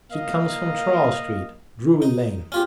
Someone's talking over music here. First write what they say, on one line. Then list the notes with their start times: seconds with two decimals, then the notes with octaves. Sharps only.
She comes from Charles Street, Drury Lane!'
0.12 A#3 D#5 F5
2.02 D#4
2.52 C#4 F4 G4